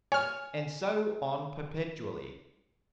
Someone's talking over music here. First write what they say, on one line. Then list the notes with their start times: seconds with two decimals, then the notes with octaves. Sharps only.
And so on perpetually.
0.12 C#5 G#5 F6